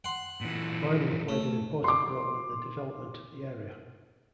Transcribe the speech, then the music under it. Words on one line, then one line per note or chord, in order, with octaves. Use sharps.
Mining played an important role in the development of the area.
F#5 C6
A#2 E3
A3
C6 D6